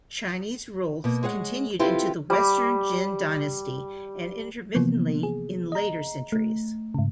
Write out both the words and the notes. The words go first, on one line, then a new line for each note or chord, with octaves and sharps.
Chinese rule continued into the Western Jin Dynasty and intermittently in later centuries.
B2 A#3
G#3 G#4 C#5 F#5
C4 E4 F4 G4 A4 B4
G3 D6
C3 E3 F3 A#3 B3
G#4
D#5 A#5
A3
G#2 C#3